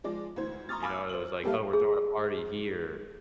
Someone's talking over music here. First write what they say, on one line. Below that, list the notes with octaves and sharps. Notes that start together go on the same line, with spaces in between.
You know, it was like, "Oh, we're throwing a party here,"
F3 G#3 D5
D2 E3 C5 G#6
A#5 C6 C#6 D#6 F6 A6
F5 G#5 B5 D6 E6 F6
C5 F#7
G3 A#3 G4 A4 E5 F5
G#4